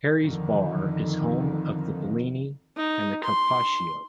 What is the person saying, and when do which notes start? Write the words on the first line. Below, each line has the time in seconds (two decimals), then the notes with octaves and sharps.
Harry's Bar is home of the Bellini and Carpaccio.
0.21 F2 D3 D#3
2.77 D#4
3.23 C6